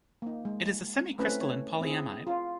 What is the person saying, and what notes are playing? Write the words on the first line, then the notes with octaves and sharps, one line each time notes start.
It is a semicrystalline polyamide.
A#3 D#4
G#3
A3 C4 C#4 E4 B4
C#5
C4 E4 G#4
F4